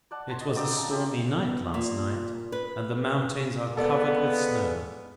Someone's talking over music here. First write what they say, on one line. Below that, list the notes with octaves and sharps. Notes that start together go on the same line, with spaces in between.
It was a stormy night last night, and the mountains are covered with snow.
D5 F#5 A5
C#5 A5 C6
F#4 D#5
A#3 C4 D#4 D5
A5 A#5
F4 G4 E6
B3
A#2
B4
G#3 A#3 B3 A4 D5